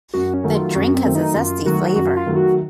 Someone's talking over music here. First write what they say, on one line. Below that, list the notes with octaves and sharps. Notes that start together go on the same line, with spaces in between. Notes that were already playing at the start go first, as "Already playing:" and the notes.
The drink has a zesty flavour.
F#2 F#4
C#4
D#3 F#3 A3
F4
F#2 F#4
C4
D#3 F#3 A3
D#4
F#2 F4
D#3 F#3 A3 F#4
F#2 F#4
F4
D#3 F#3 A3
F#4